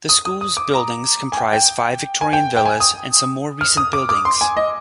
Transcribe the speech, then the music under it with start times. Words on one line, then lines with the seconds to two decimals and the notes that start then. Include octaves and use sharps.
The school's buildings comprise five Victorian villas and some more recent buildings.
0.09 D#6
0.25 D#6
0.41 D#6
0.57 D6
0.74 A#5
1.32 G#5
1.37 G5
1.53 G5
2.21 G#5
2.33 G5
2.57 G5
2.65 G#5
2.80 D#6
3.61 F6
3.77 D#6
3.93 D6
4.09 D6
4.25 C6
4.41 G#5
4.57 D#5